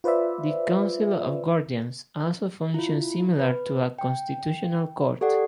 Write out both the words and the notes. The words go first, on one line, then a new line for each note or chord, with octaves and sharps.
The Council of Guardians also functions similar to a constitutional court.
F4 B4 C5 D5 E5
E4 F4
B4
G5
G4 A4 D5 F#5